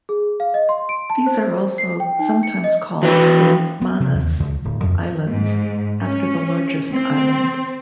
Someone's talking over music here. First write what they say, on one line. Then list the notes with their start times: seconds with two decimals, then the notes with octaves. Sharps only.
These are also sometimes called the Manus Islands, after the largest island.
0.09 G#4
0.40 F5
0.54 D#5
0.69 C6
0.89 D7
1.10 A5
1.26 C5
1.78 C7
2.00 G5
2.19 D#4
2.43 C#7
2.64 D#5
3.02 E3 F#4 B4 C#5 E5 G5
3.82 B3
4.00 C3
4.14 D#2
4.40 C#2
4.65 D1
4.83 F2
5.27 G#2
6.01 C#4
6.92 C4